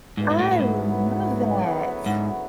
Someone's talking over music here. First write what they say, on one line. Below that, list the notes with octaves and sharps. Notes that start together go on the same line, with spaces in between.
I love that.
D2 G#2 C#3 F#3 B3 E4
G#2
A2
A2
G#2
G#2